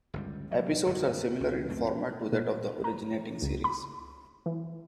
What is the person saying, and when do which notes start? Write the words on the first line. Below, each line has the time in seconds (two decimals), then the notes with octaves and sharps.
Episodes are similar in format to that of the originating series.
0.14 G1 C#2 G3
0.51 C3 F#3
0.86 G1 F2 G#2
1.40 C#2
1.68 C#2 F#2 A3 C4
2.33 A#2
2.84 A#5
3.42 C#2
3.64 B5
4.46 E3